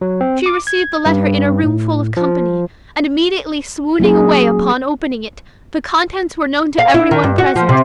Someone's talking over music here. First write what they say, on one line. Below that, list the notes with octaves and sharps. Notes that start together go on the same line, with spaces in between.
She received the letter in a room full of company, and immediately swooning away upon opening it, the contents were known to every one present.
F#3
C4
D6
G#6
G2
A2
F3
F#3 A#3 C#4 G#4
F5
E4
D#3
G2
F#4
F3
C3